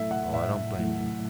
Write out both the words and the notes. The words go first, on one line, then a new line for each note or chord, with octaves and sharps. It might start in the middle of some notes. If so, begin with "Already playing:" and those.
Well, I don't blame you.
Already playing: A2 F#3 A3 E4 A4 E5
F#5
A2 E5
F#3 A3 E4